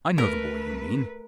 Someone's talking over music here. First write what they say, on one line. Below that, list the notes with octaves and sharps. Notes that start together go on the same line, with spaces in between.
I know the boy you mean.
A3 A#4 B4